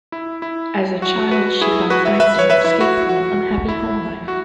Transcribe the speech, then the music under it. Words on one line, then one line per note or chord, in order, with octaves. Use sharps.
As a child she found acting an escape from an unhappy home life.
E4
E4
F#4
F#4 B4
E4 G#4
F#4 B4
B4 E5
B4 E5
C#5
B4 E5
E4
F#4
F#4
E4
F#4